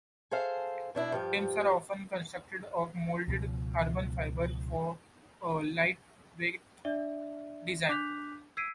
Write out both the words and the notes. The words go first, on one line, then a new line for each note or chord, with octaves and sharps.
Frames are often constructed of moulded carbon fiber, for a lightweight design.
G#4 A4 C5 F5
B2 D4 E4
G2 F3 G4
C#2 B2 F3
D4 D5 E5
D4 D6 F#6 G6 B6 F7
E6 G#6 B6 C7 D7 D#7